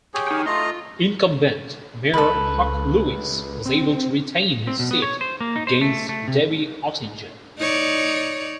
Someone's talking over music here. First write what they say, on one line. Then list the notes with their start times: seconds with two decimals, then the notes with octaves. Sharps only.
Incumbent Mayor Huck Lewis was able to retain his seat against Debbie Ottinger.
0.14 G4 G#4 C#5
0.28 D#4 G5
0.46 A3 F4 D#5 A#5 C6
2.14 C#2 A4 B4
3.66 C4
4.67 C4
4.79 B2
4.91 B3
5.02 C#5
5.21 C5
5.41 A#3
5.56 D#4
5.67 C5
5.81 A3
6.09 A3
6.28 C3
7.58 D#4 C#5 D5